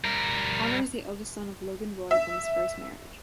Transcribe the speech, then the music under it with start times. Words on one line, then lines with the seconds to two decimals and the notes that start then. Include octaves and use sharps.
Connor is the eldest son of Logan Roy from his first marriage.
0.05 G3 A#4
2.11 E5